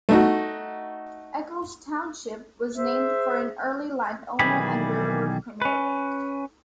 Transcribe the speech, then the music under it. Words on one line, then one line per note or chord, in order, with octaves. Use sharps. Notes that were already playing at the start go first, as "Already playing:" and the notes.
Eckles Township was named for an early landowner and railroad promoter.
A3 D#4 F#4
G#4 C5 E5
B1 D#3 E3 G3 G#4 B5
C#4 B4